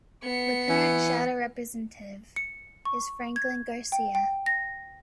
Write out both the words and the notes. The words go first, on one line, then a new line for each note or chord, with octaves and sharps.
The current shadow representative is Franklin Garcia.
B3 C#7
E3
C#7
C#6
G#6
G5
G5
A#6